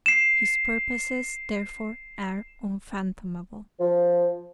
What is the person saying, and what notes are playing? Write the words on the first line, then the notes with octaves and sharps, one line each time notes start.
His purposes, therefore, are unfathomable.
C7 E7
F3